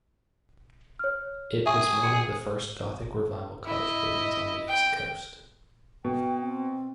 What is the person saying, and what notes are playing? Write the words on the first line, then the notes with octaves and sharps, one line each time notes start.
It was one of the first Gothic Revival college buildings on the East Coast.
C#5 F6
G#4 E5 G#5 C#6
G#6 C#7
E4 D#5
G5
B2 G5
C4